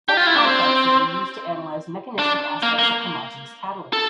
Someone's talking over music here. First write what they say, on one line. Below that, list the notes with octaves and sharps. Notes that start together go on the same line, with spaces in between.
Such complexes are used to analyze mechanistic aspects of homogeneous catalysts.
G4
F4
E4
D4
C4
D4
A#3
A#3
A4